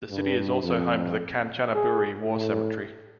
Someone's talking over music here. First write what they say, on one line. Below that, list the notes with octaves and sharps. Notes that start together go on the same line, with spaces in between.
The city is also home to the Kanchanaburi War Cemetery.
G2
F2
G#4
A2